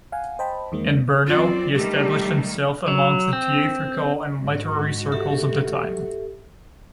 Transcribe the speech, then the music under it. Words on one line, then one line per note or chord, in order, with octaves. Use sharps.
In Brno, he established himself amongst the theatrical and literary circles of the time.
F5 F#5 G#5
C5 D#5 G5 A5 B5
E2 D#3 G#3 A#3
F#2 C4 F4 D5
D#3 G3 A3 G4
F#3
C4
G#2 F#4
G4 A4 E5